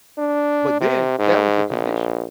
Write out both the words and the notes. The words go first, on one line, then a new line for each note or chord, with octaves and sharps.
but then that was the condition.
D4
C3
G#2
A#1